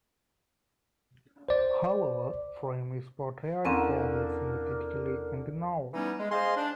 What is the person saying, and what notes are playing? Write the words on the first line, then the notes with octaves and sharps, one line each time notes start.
However, Frame is portrayed fairly sympathetically in the novel.
C5 D5
E2 D3 A#3 C4 C#4 A#4
E3 G3 B3 C#4 D#4
G#3
G#4 C5 D#5 F5 C6
D4